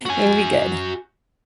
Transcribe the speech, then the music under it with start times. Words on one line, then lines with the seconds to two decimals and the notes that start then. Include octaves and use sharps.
It'll be good,
0.06 F#4 G#5